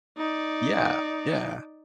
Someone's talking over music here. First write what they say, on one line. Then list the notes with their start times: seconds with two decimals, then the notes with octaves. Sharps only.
Yeah, yeah.
0.17 D#4 D5